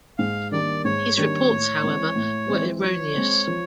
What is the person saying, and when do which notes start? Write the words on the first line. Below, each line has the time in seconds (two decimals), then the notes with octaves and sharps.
These reports, however, were erroneous.
0.18 G#2 F5
0.52 D#3 G3 A#3 D4 D5
0.85 G#2 C#5
1.17 D#3 G3 A#3 D4 C#5
1.50 A2
1.83 E3 G#3 C4
2.16 A2
2.48 E3 G#3 C4
2.82 F3 C#5
3.14 G#3 C4
3.47 F3